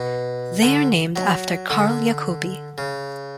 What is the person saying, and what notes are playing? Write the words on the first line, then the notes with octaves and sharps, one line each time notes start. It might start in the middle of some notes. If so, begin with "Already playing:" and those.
They are named after Carl Jacobi.
Already playing: B2
D3
F#3
D3
C#3